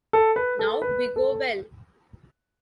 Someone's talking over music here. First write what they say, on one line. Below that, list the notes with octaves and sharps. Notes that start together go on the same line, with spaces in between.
Now we go well!
A4
B4
A4
B4
A4